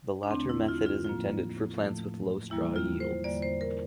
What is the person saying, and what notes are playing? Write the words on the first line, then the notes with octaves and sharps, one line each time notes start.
The latter method is intended for plants with low straw yields.
D4
E2 D3 A3 C4
E4
F4
F4
A2 F3 A#3 F4
A2 F3 A3
E2 E3 G3 A#3 E4
F4
C5
E2 D3 G3 A#3 D5
C5
A#4